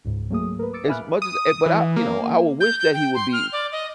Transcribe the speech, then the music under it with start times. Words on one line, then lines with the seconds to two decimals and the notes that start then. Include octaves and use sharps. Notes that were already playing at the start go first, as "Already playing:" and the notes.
as much as eh, but I, you know, I would wish that he would be
0.05 C#2 G#2
0.30 F#3 A3 A#3 G#4 D#6
0.59 A#4 B4
0.73 D6 E6 A6 C#7 D7
0.87 E5 F5 G#5 B5 F6 F#6
1.22 D#6
1.66 E3
1.96 A#3
2.60 G6
2.79 G6
2.94 G5
3.15 C6
3.33 F6
3.53 D5
3.72 D#5